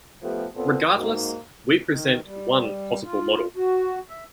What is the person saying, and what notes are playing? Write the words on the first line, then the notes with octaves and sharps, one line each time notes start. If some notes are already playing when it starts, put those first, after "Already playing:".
Regardless, we present one possible model.
F3 A3 B3 G4
A#2 B3 C4 A4
G#2 A#3 F#4
D#3
G3
F4
F#4
E5